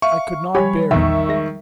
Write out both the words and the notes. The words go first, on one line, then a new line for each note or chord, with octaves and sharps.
I could not bear it.
E5 F5 C#6
F3 G3 G4 C#5 G#5 B5
A#1 E2 D#3 A#4 E5 C#6
G#3 A#6